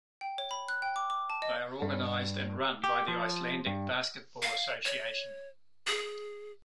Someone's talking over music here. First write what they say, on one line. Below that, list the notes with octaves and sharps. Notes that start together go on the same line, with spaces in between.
They are organized and run by the Icelandic Basketball Association.
G5
C#5
B5
F#6
G5
D6
D6
A5
D#5
G2
G4
F3
G2
F5
C#5
G#4